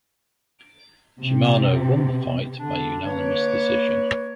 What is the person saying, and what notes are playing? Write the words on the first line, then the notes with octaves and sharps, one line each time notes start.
Shimano won the fight by unanimous decision.
C3
D3 D4
A#3 B4 C#5